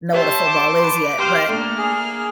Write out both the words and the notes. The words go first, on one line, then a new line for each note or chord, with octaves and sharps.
know what a football is yet, but,
G4 C5 C#5 E5 A5
D6
B4 C6
G4 C5 F5 C6 F6
A3 A#3 D4 F6
G#4